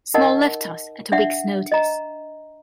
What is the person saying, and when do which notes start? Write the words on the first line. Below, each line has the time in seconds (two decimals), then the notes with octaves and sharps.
Small left us at a week's notice.
0.14 D#4 A#4 D#5 F#5 A5
1.12 D4 E5 F#5
1.72 D#5 A#5